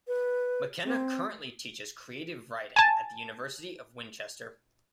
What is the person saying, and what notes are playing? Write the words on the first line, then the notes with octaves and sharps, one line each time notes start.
McKenna currently teaches creative writing at the University of Winchester.
B4
C4
G#5 A5